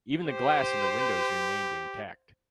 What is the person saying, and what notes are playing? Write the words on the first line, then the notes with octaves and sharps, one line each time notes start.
Even the glass in the windows remained intact.
G4 C5